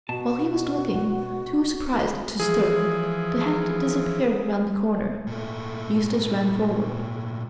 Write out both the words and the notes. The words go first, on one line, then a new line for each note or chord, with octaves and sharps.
While he was looking, too surprised to stir, the hand disappeared round the corner Eustace ran forward.
B2 F#4 A5
E3 F3 G#4
A#2 A3